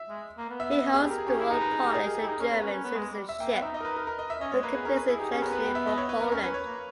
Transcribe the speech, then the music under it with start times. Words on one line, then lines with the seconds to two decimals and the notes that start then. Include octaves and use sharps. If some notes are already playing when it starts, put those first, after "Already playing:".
He holds dual Polish and German citizenship but competes internationally for Poland.
Already playing: E5
0.09 G#3
0.38 A#3
0.49 B3
0.60 E5
0.71 E5
0.82 D#5
0.94 G#4
1.02 G4
1.10 A#4
1.18 G#4
1.27 C#4 G4
1.39 E4 G#4
1.49 D#4 A#4
1.61 B4
1.71 G#4
1.83 G4
1.94 G#4
2.06 A#4
2.17 G4
2.23 E4
2.28 D#4 G#4
2.39 C#4 A#4
2.50 B3 C#5
2.61 C#4 B4
2.72 C#4
2.84 B3
2.95 G#3
3.12 G3
3.29 E5
3.40 A#3 G5
3.52 B3 G5
3.62 D#4 E5
3.74 D#5
3.80 A#4
3.85 B4
3.97 A#4
4.07 A#4
4.19 D#5
4.30 E5
4.41 C#4 D#5
4.52 G#3 C#5
4.63 A#3 B4
4.75 B3 G#4
4.85 C#4 A#4
4.97 B4
5.08 E4 G#4
5.19 D#4 G4
5.31 C#4 G#4
5.42 B3 A#4
5.52 B3 B4
5.64 G5
5.75 E5
5.87 D#5
5.98 C#5
6.09 B4
6.20 B3 A#4
6.32 C#4 A#4
6.42 C#4 B4
6.54 C#5
6.65 A#3